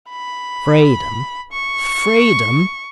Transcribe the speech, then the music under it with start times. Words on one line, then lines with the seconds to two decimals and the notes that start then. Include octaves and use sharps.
Freedom, freedom!
0.10 B5
1.52 C#6